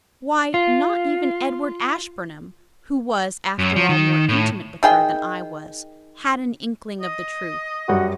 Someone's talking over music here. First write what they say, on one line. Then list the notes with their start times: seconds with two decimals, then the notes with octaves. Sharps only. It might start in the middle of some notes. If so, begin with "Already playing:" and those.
Why, not even Edward Ashburnham, who was, after all more intimate with her than I was, had an inkling of the truth.
0.54 F4
3.59 F#2
3.76 F3
3.89 D#3
4.29 A2
4.83 D#3 G#4 G5
7.01 D#5
7.89 F#2 G3 F#4